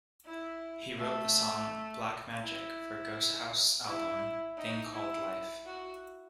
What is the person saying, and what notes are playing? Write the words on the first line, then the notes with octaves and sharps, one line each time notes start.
He wrote the song "Black Magic" for Ghosthouse's album "Thing Called Life".
E4
A3
E4
E4
D#4
E4
F#4